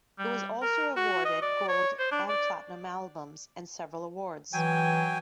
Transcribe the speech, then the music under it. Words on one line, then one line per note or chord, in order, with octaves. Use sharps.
It was also awarded gold and platinum albums, and several awards.
G3
A#4
F#4
D#5
D5
C#5
C5
D4
D5
E3 F#3 G5 G#5